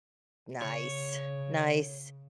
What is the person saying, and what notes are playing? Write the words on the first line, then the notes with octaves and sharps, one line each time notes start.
Nice. Nice.
C#3 C#5